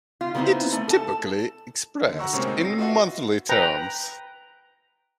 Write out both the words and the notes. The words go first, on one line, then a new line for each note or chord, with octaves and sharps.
It is typically expressed in monthly terms.
F4
D#3 F#3 B3 C4 D#4 E4
A3
A4 A5
D3
F#4 F#5 A#5 C#6 E6
A2 C3 G#3 A#3 C4 C#4
D#4
A#6 C7
F4 F#4 B4 D#5 E5 F#5
B4 G5 A#5